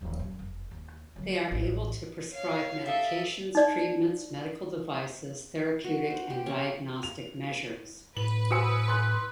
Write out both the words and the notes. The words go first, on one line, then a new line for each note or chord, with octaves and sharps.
They are able to prescribe medications, treatments, medical devices, therapeutic and diagnostic measures.
D#1 F3
F#2
F1
D#2
D3 F#3
A1 D2
C#5 F5
G4 A4 E5 F5 D#6
D#4 D5
F#4
C5
G4
C#4
F7
A2 B4 F#7
F#4 C5 G#5 D#6 E6 C#7
C6 F#6